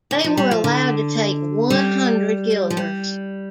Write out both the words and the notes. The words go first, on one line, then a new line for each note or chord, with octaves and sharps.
They were allowed to take one hundred Guilders.
D3
F3
G3
F3
D3
G3
F3
G3